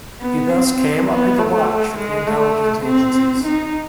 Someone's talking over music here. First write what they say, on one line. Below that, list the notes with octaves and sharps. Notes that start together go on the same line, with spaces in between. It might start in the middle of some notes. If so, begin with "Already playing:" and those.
He thus came under the watch of the intelligence agencies.
B3
C4
B3
A3
G#3
A3
C4
D#4